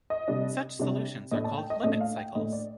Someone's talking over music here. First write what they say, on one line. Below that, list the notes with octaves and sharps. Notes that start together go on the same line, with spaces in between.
Such solutions are called limit cycles.
D#5
C3 G3 D4
C3 G3 D4
A2 A3 D4 D#5
A5
G5
D#5
A2 A3 D4 D#5
F5
G5
A2 A3 D4 D#5
D5